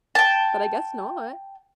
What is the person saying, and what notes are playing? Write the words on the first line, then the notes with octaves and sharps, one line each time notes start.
but I guess not.
G5 A5